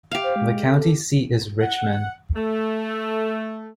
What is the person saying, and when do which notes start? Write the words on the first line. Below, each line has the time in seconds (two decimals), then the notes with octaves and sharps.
The county seat is Richmond.
0.11 G4 E5 F5
0.24 C5
0.36 G#3
0.66 A4
1.59 F#5
2.36 A3